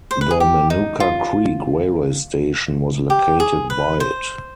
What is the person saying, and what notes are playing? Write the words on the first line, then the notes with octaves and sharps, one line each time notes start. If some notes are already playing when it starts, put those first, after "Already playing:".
The Manuka Creek Railway Station was located by it.
C5
B4
G#4
G4
D#4
F4
G4
G#4
B4
C5